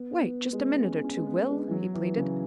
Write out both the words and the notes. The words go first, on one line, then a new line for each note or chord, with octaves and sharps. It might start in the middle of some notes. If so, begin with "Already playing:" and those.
"Wait just a minute or two, Will," he pleaded.
Already playing: B3
B3
G#3
C#4
C#4
G#3
B3
G#3
E3
F#3
E3
C#3